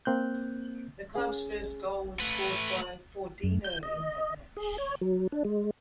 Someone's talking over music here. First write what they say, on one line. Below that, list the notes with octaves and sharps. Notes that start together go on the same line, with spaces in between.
The club's first goal was scored by Fordinho in that match.
A#3 C4 F#6 G6
C#4 G#4
A3 B4
F#2
G6
D#5
G#4
C#5
F#3
D4
G#3